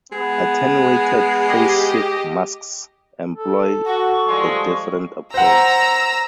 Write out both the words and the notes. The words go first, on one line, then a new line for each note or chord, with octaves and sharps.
"Attenuated phase-shift masks" employ a different approach.
G#3 B3
G4 D#5
A4
F#4 C#6
F3 G3 G#3
C5 F#5 A#5 E6